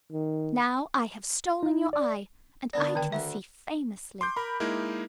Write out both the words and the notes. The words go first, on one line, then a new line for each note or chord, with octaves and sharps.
Now I have stolen your eye, and I can see famously.
D#3
D#4
D5
D3 B3 D4 D5
D3 D#3 G5
D2 E5
C6 D6 G6
A#4 B5
G#3 A#3 D#4 E4 A#4